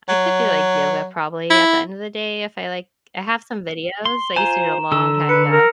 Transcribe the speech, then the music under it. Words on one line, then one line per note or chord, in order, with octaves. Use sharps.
I could do, like, yoga probably at the end of the day if I like I have some videos. I used to do it a long time ago.
F#3
E4
C6
F4 C5 G#5 A#5 E7
D3 A4 E6
B4 C#7
A#4